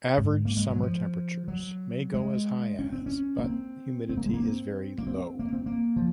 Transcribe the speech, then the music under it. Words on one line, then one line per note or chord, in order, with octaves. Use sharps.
Average summer temperatures may go as high as but humidity is very low.
G#2
A#3
G#3
F#3
F3
F#3
G#3
C#4
C4
C#4
A#3
C4
C4
A#3
G#3
A#3
C4
A#3
C4
A#3
C4
A#3
F3